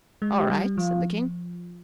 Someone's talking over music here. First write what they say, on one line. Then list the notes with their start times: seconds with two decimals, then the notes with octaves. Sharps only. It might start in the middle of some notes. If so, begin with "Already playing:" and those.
"All right," said the King.
0.22 G#3
0.36 G4
0.50 G3
0.78 F3 F4